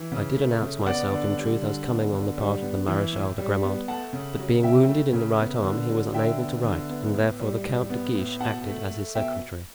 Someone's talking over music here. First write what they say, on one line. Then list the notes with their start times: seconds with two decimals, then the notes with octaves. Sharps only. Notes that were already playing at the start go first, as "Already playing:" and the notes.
"I did announce myself, in truth, as coming on the part of the Marechal de Grammont; but being wounded in the right arm he was unable to write and therefore the Count de Guiche acted as his secretary."
Already playing: E3
0.12 C#3
0.37 A3
0.62 C#3
0.86 B3 D5 F#5
1.12 D3
1.37 G3
1.62 D3
1.87 B3
2.12 D3
2.38 G3
2.62 B3
2.87 E3
3.13 A2
3.38 G3
3.63 B3
3.88 A3 F#5 A5
4.13 C#3
4.39 F#3
4.63 C#3 E5 G5
4.88 A3
5.13 C#3
5.39 B3
5.64 D3
5.90 F#3
6.13 D3 E5 G5
6.39 B3
6.64 D3
6.89 B3
7.15 A2
7.40 G3
7.65 A2
7.90 B3
8.15 A2
8.40 B2 F#5 A5
8.65 A3
8.90 A3
9.15 B2 E5 G5